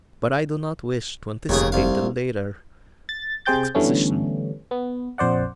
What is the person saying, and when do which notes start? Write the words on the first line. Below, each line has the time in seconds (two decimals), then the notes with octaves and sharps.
But I do not wish to anticipate the later exposition.
1.49 F1 D#2 C#3 G#4
1.72 C2 F5
3.09 A6
3.45 C3 G#4 C5 G5 G6 A6
3.75 D3 E3 G3 A3 B3 C#4
4.71 B3
5.18 A#1 F2 C5 D5 F#5